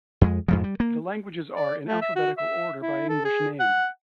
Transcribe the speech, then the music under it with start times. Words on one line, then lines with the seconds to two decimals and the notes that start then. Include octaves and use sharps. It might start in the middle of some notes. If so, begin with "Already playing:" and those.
The languages are in alphabetical order by English name.
0.21 F2 G#3
0.48 F2 G#2 F3
0.64 G3
0.80 A#3
1.55 D5
1.86 A3
2.02 E5
2.16 F#4
2.38 E5
2.81 E4
3.09 A4
3.25 G#4
3.60 F#5